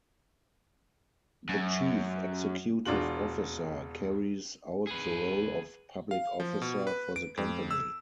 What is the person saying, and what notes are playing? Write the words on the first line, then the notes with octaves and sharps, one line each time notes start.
The Chief Executive Officer carries out the role of Public Officer for the Company.
F#2
E1 D4 F4 F#4 F#7
G#4 B4
F5
F3
B2
B4
D7
F2
E6